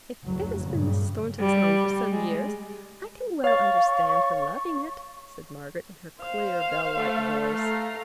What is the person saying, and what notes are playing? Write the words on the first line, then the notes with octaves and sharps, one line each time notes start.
'If it has been Mrs. Thornton's home for some years, I can well understand her loving it,' said Margaret, in her clear bell-like voice.
F#1 D2 F#3
G2 A#2 C#3
G3
G#3
C#5 F5 C#6 A6
C5 F5
A3
F5 A#5